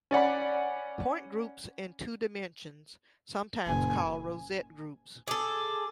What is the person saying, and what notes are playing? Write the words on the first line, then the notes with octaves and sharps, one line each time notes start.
Point groups in two dimensions, sometimes called rosette groups.
C#4 D5 F#5 B5
F#1 A#2 G#5
G#4 A4 D6